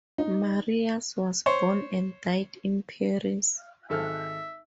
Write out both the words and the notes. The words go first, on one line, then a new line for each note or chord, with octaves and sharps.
Marais was born and died in Paris.
D#4
C5 C#5
G#1 A4 E5 F6